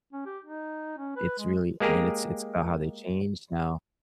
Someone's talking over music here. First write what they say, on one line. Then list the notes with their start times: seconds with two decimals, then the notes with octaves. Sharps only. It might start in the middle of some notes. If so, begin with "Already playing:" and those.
it's really and it's it's about how they change now,
0.13 C#4
0.26 G4
0.45 D#4
0.98 C#4
1.17 B4
1.38 G#3
1.80 G#3 A#3 G4 G#4 A#4